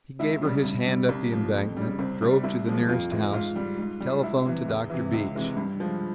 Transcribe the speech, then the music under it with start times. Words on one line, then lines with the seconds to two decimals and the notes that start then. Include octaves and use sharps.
He gave her his hand up the embankment, drove to the nearest house, telephoned to Dr. Beach.
0.19 C#2 E4
0.42 C#3 G3
0.65 G2
0.87 G3
1.09 C2
1.32 A#2 F3
1.54 F2
1.77 C#3 G3
1.99 C2 C4
2.22 C3 G3
2.43 C2 E4
2.66 A#2 F3 G#3
2.89 F2 F4
3.11 E3 G#3
3.33 G#2 F4
3.56 G3
3.78 G#2
4.00 G3
4.23 C#2 E4
4.45 C3 E3
4.68 E2
4.90 C3 E3
5.13 C#2 E4
5.35 C3 E3 G#3
5.57 G2
5.80 F3 G#3